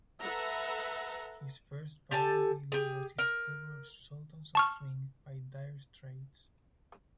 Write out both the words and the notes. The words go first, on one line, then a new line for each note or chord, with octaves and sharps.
His first viral video was his cover of "Sultans of Swing" by Dire Straits.
A4 B4 E5 F#5 A#5
G4 A4 G#5 A5
G4 G#4
A#4
A5 C#6 F6